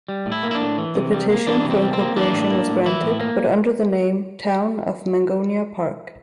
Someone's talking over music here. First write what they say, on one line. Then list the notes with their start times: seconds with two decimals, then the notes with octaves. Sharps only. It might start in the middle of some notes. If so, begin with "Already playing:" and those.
The petition for incorporation was granted but under the name Town of Mangonia Park.
0.08 G3
0.26 A2
0.32 E4
0.43 A#3
0.51 E4
0.55 D4
0.61 A2
0.78 E3
0.95 C3
1.12 G3
1.30 A#3
1.47 E3 D4
1.64 C3
1.70 C4
1.82 G3
1.93 C4
1.99 A#3
2.16 E3 D4
2.33 A2
2.51 A#3
2.68 A2
2.86 E3 E4
3.03 A2
3.20 A#3